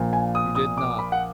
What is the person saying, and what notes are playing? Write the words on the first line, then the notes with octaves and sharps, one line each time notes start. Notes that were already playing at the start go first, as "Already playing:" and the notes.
You did not!
Already playing: A#1 A#2 F3
G#5
D#6
D#6
D6
B5
F#5